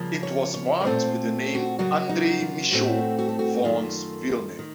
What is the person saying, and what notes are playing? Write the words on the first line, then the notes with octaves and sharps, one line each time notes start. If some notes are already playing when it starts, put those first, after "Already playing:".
It was marked with the name "Andre Micheaux", Vaughn's real name.
Already playing: C#3 F3 A#3
C#5
C#5
A#4
A#2 A3 C4 C5
F#4
C#3 F#3 A#3 F#4
D#4
F4
A2 A3 C4 F#4
F#4
A4
F#4
F#4
F#2 D#3 A3 F4
D#3